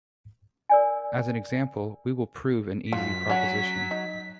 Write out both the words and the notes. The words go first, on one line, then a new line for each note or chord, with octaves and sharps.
As an example, we will prove an easy proposition.
A#4 D5 G#5
F#2 F4 B6
F#3 C#4 F#5
D#4